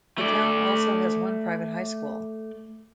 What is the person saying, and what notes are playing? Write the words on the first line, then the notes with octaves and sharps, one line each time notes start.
The town also has one private high school.
A3 D5